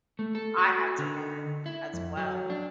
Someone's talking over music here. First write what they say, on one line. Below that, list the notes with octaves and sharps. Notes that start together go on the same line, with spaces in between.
I had to learn as well.
A3
A4
F#4
D3
E4
F2
F#3
D4